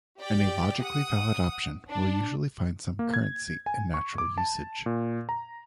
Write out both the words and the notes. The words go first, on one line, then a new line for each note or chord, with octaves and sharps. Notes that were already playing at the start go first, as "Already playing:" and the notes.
Any logically valid option will usually find some currency in natural usage.
G4 D5 G5
F#5 D#6
D4
A#3
G#6
G#5
C#6
D6
A5
A#2
A#5